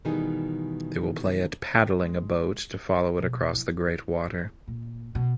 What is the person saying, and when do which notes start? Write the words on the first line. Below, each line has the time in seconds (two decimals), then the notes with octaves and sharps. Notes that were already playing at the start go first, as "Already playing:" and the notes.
They will play at paddling a boat to follow it across the great water.
0.05 B2 D#3 E3 G3 D#4 G#4
1.99 G#3
3.20 B2 F3
3.55 E4
4.68 A#2
5.15 B2